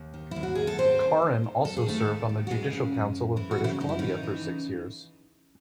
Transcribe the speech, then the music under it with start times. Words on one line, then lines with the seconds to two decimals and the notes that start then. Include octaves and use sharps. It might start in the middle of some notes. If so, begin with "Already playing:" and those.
Karin also served on the Judicial Council of British Columbia for six years.
Already playing: D#2
0.14 D#3
0.31 D#2 E4
0.43 F#4
0.55 D#3 G#4
0.67 A4
0.78 D#2 C4 C5
1.01 D#3
1.22 D#2
1.44 D#3
1.64 D#2 A4
1.77 G#4
1.86 D#3 A3 A4
2.08 D#2
2.29 D#3
2.47 F#4
2.50 E3 G#3 G#4
2.73 C#3
2.94 F#2
3.15 F#2
3.36 E3 E4
3.51 F#4
3.58 C#3
3.64 E3 E4
3.80 F#2 D#4
3.89 E4
3.99 F#2 D#3 D#4
4.23 E3
4.44 C#3